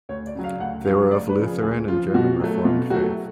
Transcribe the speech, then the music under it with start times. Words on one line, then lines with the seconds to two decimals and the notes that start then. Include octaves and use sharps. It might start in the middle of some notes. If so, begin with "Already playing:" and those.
They were of Lutheran and German reformed faith.
0.09 D2 C#5
0.27 D5
0.35 C#3 F#3
0.44 F5
0.60 D2 F#5
0.85 C#3 F#3 F5
1.11 D2 D5
1.29 B4
1.38 C#3 F3
1.46 G#4
1.63 D2 G#4
1.88 C#3 F3 F4
2.08 F4
2.14 B2 F#4
2.40 F#3 A3
2.65 B2 F4
2.90 F#3 A3 F#4